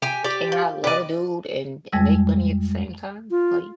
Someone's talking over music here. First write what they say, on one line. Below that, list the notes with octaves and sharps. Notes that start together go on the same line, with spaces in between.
Can't I love a dude and and make money at the same time, like,
G4 G#5
G4 D5
F3
G4 B4 D5 D#5
F2 G3 G#3 E6
F4